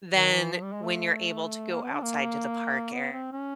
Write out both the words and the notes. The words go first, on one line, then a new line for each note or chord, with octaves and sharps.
than when you're able to go outside to the park ar
D#3
E3
F3
G3
G#3
A3
A#3
B3
D4
A#3
B3
C4
C#4